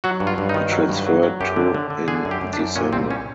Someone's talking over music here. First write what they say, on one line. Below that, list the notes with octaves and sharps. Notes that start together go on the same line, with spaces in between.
He transferred to in December.
F#3 F#4
G2
F4
G2
D#4
D#3
F#3
G2
F#3
F#3
F#2 G4
D3
D3
D3
D3 G#4
F#2
G4
F#2
D4
F#2
A#2 C#4
C2 C4
C#4